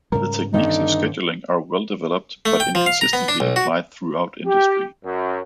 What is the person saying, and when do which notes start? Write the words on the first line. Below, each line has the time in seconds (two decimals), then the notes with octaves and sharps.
The techniques of scheduling are well developed but inconsistently applied throughout industry.
0.12 G#2 C#3 G3 A#4
0.54 G2 D3 D#3 B3 C#4 D#4
2.45 A3
2.60 G5
2.75 F3
2.86 F5
3.01 A#5
3.13 B3
3.28 D4
3.40 B1
3.56 F#4
4.46 G4
5.05 F#2